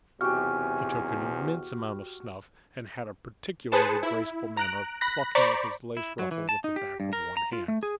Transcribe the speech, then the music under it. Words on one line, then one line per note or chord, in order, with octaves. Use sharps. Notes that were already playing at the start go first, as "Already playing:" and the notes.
He took an immense amount of snuff, and had a particularly graceful manner of plucking at his lace ruffle with the back of one hand.
B1 E2 C3 F#4 G4 G#5 F6
G#4 B4 C5 A5 C#7
E4
A#5 F#6 D7
B5 F#6 A#6
C5 D5 A#5 B5 C#6 D6
E4
F#3
E3
A5
D#4
G4
G2
A#4
A#5
F4
A3
G#4